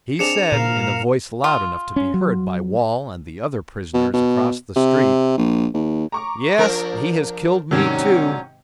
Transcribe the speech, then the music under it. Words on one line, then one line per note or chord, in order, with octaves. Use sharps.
He said, in a voice loud enough to be heard by Wall and the other prisoners across the street: "Yes, he has killed me, too!"
C4 D4 G#4 C#7 E7 F7
A#2 A#4 F5
F4
C#4
F#3
B2
B2
C3
A#1
D#2
A#5 C#6 D6
F3 D4 A#4
G#2 C3 D#3 F#3 C#4 D4